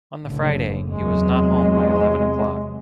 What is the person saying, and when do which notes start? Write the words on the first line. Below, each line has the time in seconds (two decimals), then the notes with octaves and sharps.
On the Friday, he was not home by eleven o’clock.
0.23 F#1 A2 D3
0.87 E2 C3 F#3 G#3